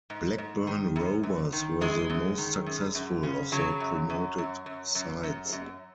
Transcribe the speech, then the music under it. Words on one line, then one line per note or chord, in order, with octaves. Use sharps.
Blackburn Rovers were the most successful of the promoted sides.
G#2
G#2
D#3
F#2
F#2
D#3
F#2 G#3
F#2
D#3
F#2
F#2
C#3
C#3 F#3
F#2
F#2
F#2
F#2
F#2
F#2
F#2